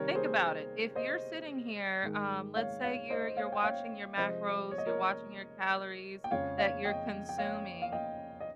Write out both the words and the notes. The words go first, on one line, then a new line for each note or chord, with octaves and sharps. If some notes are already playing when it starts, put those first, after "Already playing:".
Think about it. If you're sitting here, um, let's say you're you're watching your macros, you're watching your calories that you're consuming.
Already playing: C3 D#3 G3 A#4 C#5
G#4 C5
C5 D#5
G#2 D#3 G#3
C#5 F5
C#5 F5
C5 D#5
C#5 F5
G5
C#5 F5
C3 F3 G#3 C5 D#5
C#5
D#5
A#4 C#5
G5
F2 C#3 F3 G#3 C#5 F5
C#5 F5
D#5 G5
G5
C#5 F5
F5
D#5 G5
D#5